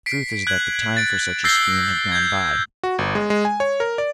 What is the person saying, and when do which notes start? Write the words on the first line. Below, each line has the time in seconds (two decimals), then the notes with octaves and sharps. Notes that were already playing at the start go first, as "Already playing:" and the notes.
The truth is that the time for such a scheme had gone by.
0.06 B6 C7 D7
0.47 F#6 G#6 F#7
0.97 A6 D7
1.44 E6 G6 A6 A#6 C7 G7
2.12 G6 G#6
2.83 F#4
2.98 G1
3.15 G#3
3.30 G#3
3.45 G#5
3.60 C#5
3.80 A#4
3.98 D5